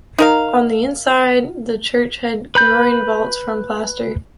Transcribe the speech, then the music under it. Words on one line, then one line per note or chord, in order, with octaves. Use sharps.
On the inside the church had groin vaults from plaster.
D#4 A#4 F5
B4 B5 G6